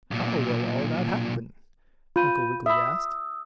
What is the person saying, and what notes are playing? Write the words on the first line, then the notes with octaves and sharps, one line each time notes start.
"How will all that happen?" Uncle Wiggily asked.
B1 A#2
F4 B5 G6 D#7
E5 B5 D#6 E6